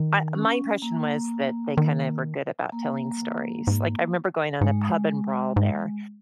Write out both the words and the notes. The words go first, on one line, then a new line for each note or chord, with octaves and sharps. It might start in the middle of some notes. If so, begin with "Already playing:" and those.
uh, my impression was that they kinda were good about telling stories. Like, I remember going on the pub and brawl there,
Already playing: D#3
C#4
A#3
D#3
A#3
G#2
G#2 G#3
G#2